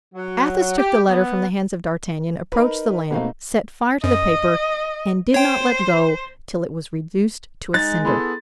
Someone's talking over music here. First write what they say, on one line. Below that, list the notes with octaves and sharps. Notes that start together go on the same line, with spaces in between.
Athos took the letter from the hands of d'Artagnan, approached the lamp, set fire to the paper, and did not let go till it was reduced to a cinder.
F#3
G4
B3
D#4 A#4 B4
B2 A3 A#3 C4 D#4
F#2 D#5
C5 C#5 G5
G#3 D#4 F#6 A6
B3 E4 G#4 A4 B5 C6